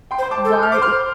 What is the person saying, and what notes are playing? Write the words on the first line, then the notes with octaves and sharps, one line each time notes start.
why li
G5 C6
C5
C6
A5 D6
A4
G6
F6
C5 D6
C6 F6